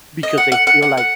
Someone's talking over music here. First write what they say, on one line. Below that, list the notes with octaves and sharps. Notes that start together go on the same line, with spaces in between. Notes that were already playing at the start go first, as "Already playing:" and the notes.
because they feel like
D#5
F#5
F#5
F#5
F#5
F#5